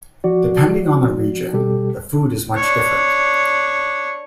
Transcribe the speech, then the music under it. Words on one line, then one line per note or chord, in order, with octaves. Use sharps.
Depending on the region, the food is much different.
F3 F#4 D5
B2 G3 G4 A4
D4 C#5